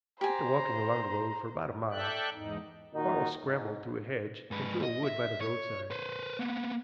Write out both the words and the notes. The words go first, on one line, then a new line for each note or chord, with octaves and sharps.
After walking along the road for about a mile Quarles scrambled through a hedge into a wood by the roadside.
G4 C5 G#5 A#5
A4 D5 E5 G5 F#6
E2 G#2 D#4
A#2 D#3 D#4 F#4
G#2
G#2 B4
D#5
E5
C#5
B4 C5
A#3 B3